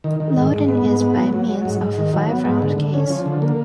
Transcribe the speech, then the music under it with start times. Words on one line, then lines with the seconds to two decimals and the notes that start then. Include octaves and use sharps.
Loading is by means of a five-round case.
0.04 D#3
0.20 D#3
0.36 G#2
0.52 G#2
0.68 B3
0.85 G#2
1.00 B3
1.17 F#3
1.33 F#3
1.49 F#3
1.65 G#2
1.82 G#2
1.98 D#3
2.13 F#3
2.30 B3
2.45 G#2
2.62 D3
2.78 D3
2.94 C#4
3.10 F3
3.26 D3
3.42 A#3